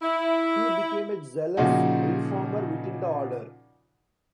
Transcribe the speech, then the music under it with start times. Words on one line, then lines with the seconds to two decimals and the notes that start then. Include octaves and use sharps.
He became a zealous reformer within the Order.
0.02 E4
1.57 A#2 C#3 F3 D#4 F#4